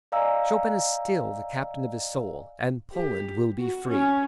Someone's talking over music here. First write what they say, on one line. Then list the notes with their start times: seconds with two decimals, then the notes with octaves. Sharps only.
Chopin is still the captain of his soul--and Poland will be free!
0.12 D5 D#5 F5 G#5 A#5 E6
2.94 G4
3.58 F#4
3.89 C#4